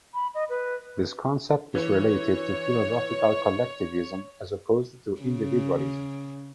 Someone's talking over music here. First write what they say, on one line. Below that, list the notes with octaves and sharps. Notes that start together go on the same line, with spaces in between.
This concept is related to philosophical collectivism as opposed to individualism.
B5
D#5
B4
E3 C#5
C#3